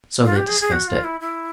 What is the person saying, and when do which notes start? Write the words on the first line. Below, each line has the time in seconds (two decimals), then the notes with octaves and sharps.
So they discussed it.
0.24 F4
0.36 G4
0.48 G#4
0.60 G#4
0.72 F#4
0.88 F4
1.04 E4
1.20 E4